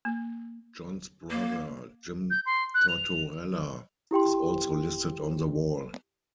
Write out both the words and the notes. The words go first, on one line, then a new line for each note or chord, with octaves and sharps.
John's brother Jim Tortorella is also listed on the wall.
A#3
A#3
G6
C6
F#6
F7
E4 G4 G5 C6